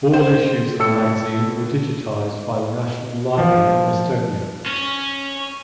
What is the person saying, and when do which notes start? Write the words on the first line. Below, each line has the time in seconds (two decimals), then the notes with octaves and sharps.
All issues of the magazine were digitized by the National Library of Estonia.
0.13 C5
0.79 A2 A4 E6 C#7
3.38 F3
4.66 C#4